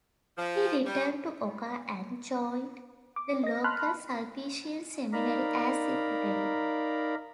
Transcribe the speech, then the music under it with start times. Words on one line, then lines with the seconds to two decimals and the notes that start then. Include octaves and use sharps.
He returned to Oka and joined the local Sulpician seminary as secretary.
0.38 F3
0.85 G3
3.16 D6
3.44 D#5 A#6
3.64 A5 B5 C6 F6 F#6
5.13 D#4 A#4 D5 F5 A#5 B5